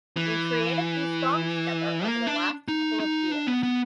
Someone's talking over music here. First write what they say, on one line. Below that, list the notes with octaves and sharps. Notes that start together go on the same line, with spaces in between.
We created these songs together over the last couple of years.
E3
A#3
D4
D#4
D#4
D4
B3
B3